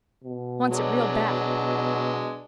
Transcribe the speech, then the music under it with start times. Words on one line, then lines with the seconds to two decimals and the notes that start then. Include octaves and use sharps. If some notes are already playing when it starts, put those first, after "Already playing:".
Wants it real bad.
0.24 B2
0.71 F#3 G#3 D4